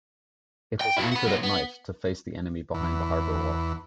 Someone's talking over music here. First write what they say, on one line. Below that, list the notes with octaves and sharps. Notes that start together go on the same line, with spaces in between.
It was anchored at night to face the enemy behind the harbour wall.
G5
E4 F#4
F#5 B5
A#2 F#3
B3
E2